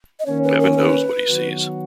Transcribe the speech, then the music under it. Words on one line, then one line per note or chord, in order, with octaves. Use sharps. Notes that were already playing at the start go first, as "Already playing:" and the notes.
Heaven knows what he sees.
D#5
D#3 A#3 C#4 C#5
B4
A#4
A#4
B4
D#3 F#3 B3 F#4